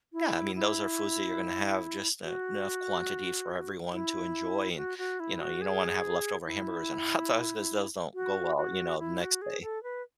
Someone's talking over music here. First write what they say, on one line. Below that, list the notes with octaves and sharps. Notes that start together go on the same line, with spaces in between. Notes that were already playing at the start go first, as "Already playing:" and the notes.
yeah, I mean, those are foods that you're gonna have just enough quantity for everyone to enjoy and, you know, you don't wanna have leftover hamburgers and hot dogs because those don't go well, you know, the next day.
E4
E4
F#4
E4
F#4
F#4
E4
F#4
G#4
E4
F#4
F#4
E4
F#4
G#4
A4
B4